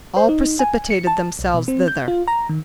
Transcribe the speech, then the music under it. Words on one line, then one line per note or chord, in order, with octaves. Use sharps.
All precipitated themselves thither.
C5
D#4
G#5
C#7
A5
B1
B2
C4
G6
F4
A#5
D#3